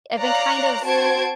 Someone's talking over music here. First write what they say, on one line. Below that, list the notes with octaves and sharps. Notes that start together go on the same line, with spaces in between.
I've been kind of,
C#5 D5 F5 A#5 F#6
C4 F#4 C5 A5 G#6 D7